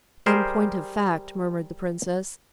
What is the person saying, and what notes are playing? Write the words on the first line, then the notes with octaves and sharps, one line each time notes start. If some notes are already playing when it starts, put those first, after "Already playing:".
"In point of fact," murmured the princess...
G3 G4 G#4 A#4 C5